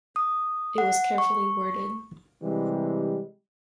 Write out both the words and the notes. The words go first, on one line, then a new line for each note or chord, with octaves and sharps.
It was carefully worded.
D#6
F#5
C#6
C3 E3 G3 G#3